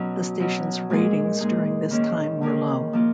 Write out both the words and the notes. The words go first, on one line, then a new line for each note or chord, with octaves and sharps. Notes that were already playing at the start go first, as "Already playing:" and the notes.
The station's ratings during this time were low.
Already playing: B2 F#3 C#4 F#4
B2 F#3 C#4 F#4
A#2 G#3 D#4 G#4
A#2 G#3 D#4 G#4
D#3 A#3 C#4 G#4
D#3 A#3 C#4 G#4
F3 A#3 F4